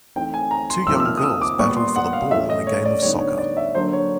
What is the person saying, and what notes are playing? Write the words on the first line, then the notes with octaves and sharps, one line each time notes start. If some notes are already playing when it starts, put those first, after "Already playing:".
Two young girls battle for the ball in a game of soccer.
E3 A3 C4 D#4 G5
G#5
A#5
C6
C3 F3 A#3 D#4 E6
E6
F6
D#6
E6
D6
A#2 G3 B3 C#6
C6
F#5
F5
A2 E3 A3 C#4 E5
D#5
C#5
D5
D3 G3 B3 D#4 C#5
C#5
D5
E5
D3 F#3 A#3 D4 C5
C#5